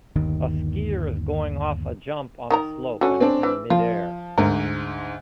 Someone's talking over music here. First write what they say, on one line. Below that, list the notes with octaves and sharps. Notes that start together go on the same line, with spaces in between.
A skier is going off a jump on a slope, and is in midair.
G1 D#2 D#3
D#3 A#4 A#5
D3 C#4 F#4
C4 D4
E3
F3 F4
D2 G#2 A#4